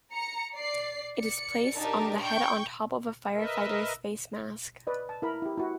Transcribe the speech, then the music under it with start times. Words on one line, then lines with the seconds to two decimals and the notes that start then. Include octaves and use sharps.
It is placed on the head on top of a firefighter's face mask.
0.13 A#5 C#7
0.55 D5 C7
1.18 D5 C#7
1.77 D4 D#4 G4 A#4 A5
2.20 G5 C#6 G6
3.34 A#4 B4 D#5 E5
4.87 B4 D5 D#5
5.09 A5
5.22 E4 A#4 B5
5.42 E4 G4
5.57 E4 F#4